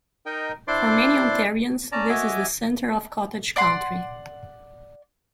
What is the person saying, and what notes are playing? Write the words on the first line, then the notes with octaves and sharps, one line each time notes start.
For many Ontarians, this is the centre of cottage country.
D#4 A#4 D#5 G5
D4 E4 C5 D5 C6 D6
C#4 D5 A5 A#5
F#4 C#5 D#5 E5 G#5 D6
D5 F#5 C6